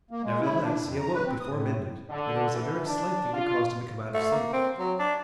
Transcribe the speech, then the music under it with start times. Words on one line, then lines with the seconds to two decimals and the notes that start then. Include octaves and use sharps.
Nevertheless he awoke before midnight, and it was a very slight thing that caused him to come out of sleep.
0.11 A#3
0.24 G#3
0.41 E4
0.63 D4
0.82 F2
0.99 A#5
1.13 B4
1.27 C4
1.40 D#6
1.51 A2
2.10 D3
2.54 E3
2.85 D4
3.33 F4
4.14 A3
4.32 A#3
4.53 C4
4.79 F#3
4.99 D4